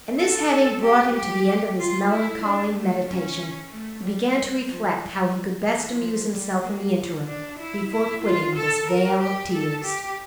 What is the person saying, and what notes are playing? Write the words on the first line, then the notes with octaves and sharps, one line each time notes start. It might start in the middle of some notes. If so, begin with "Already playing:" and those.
And this having brought him to the end of his melancholy meditation, he began to reflect how he could best amuse himself in the interim, before quitting this vale of tears.
A4
A4
G4
G4
F4
E4
D4
A3
C#4
A3
G3
F3
G3
E3
F3
G3
A#3
D4
E4
E4
F4
A4
A#4
G4
A4
G4